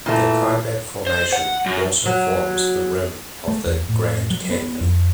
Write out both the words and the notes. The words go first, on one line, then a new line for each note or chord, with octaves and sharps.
The Kaibab formation also forms the rim of the Grand Canyon.
A#2 E3 A3
C5
F#5
F#2
F#3
A3
E2
A2
F#3
B3
F2